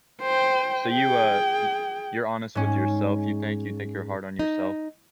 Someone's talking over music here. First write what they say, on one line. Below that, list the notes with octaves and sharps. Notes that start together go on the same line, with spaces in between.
So you, uh, y you're honest with yourself, you think you think you're hard on yourself?
C5 G5
G#4 G5
G#2 C#4
D#4